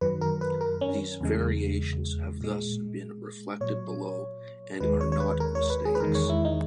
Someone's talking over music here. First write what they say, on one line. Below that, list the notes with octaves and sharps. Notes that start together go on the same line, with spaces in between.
These variations have thus been reflected below, and are "not" mistakes.
F#2 D#3 F#3 B4
A#4
B4
A#4
C#4
E2 C#3 G#3
A#2 G#3
A#2 F#3 C#5
D#2 D#3 G#3 B4
C#5
C#5
B4
A#4
C#5
B4
G#4
B4
E2 D#3 G#3 A#4
C#5
E4
D#4